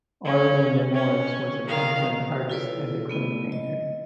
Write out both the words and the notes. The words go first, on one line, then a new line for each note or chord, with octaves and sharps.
Aurelie Nemours was a partisan artist and acrylic painter.
C#4
C#4
D#3 F5
E4 F4 A4 B4 C#5 D5
A3 B3 E4
D#5